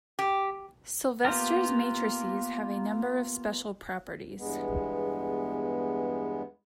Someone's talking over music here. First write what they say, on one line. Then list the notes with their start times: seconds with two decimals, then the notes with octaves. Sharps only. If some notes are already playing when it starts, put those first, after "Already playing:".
Sylvester's matrices have a number of special properties.
0.19 G4
1.25 A#3 B3 F4 G4 A#4
4.38 E2 G2 G#3 B3